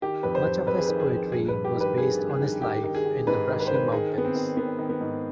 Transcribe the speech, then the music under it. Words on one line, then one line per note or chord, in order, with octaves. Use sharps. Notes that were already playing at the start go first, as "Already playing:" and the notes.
Much of his poetry was based on his life in the Brushy Mountains.
D#3 G4
F2 B4
C5
F2
F2 B4
G#4
B4
D#3
G#4
F2
G2 G#4
B4
G2
G4
D#3
B4
D#3 G#4
G2
G#4
D#3
D#3 G4
D#3
G#4
D#3
G#2 B4
D#3
B4
C5
D#3 B4
D#3 G#4
D#3 B3
C4
D#3
D#3 B3
D#3
B3
G#2